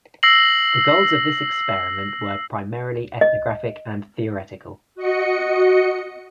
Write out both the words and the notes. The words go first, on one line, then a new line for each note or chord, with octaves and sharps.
The goals of this experiment were primarily ethnographic and theoretical.
E6 A#6 C7 F#7
D#5
F#4 D#5 C#7